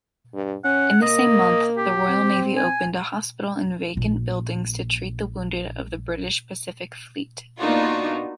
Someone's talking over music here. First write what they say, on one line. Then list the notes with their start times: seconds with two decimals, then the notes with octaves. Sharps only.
In the same month, the Royal Navy opened a hospital in vacant buildings to treat the wounded of the British Pacific Fleet.
0.34 G2
0.64 C#4 F#5
1.02 A#3 D#5
1.77 G4
2.09 C4
2.57 G#5
3.96 A#1 A#3
7.59 A#3 B3 D4 D#4 F4 F#4